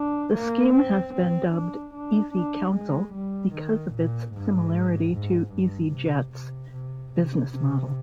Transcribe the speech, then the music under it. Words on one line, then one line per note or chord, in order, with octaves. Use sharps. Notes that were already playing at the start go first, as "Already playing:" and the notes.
The scheme has been dubbed easyCouncil because of its similarity to EasyJet's business model.
Already playing: D4
A#3
C4
C4
D4
D4
D4
G#3
G3
D#3
A#2
G#2
G#2
G2
C3
C3
C3
C3
C3